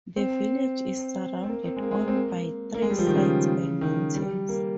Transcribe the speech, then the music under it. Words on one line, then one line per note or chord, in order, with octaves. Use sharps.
The village is surrounded on by three sides by mountains.
C4
C4
A#3
C4
G#3
A#3
G#3
A#3
C4
A#3
A#3
G#3
G3
F3
D#3
C#3
D#3
G3
A#3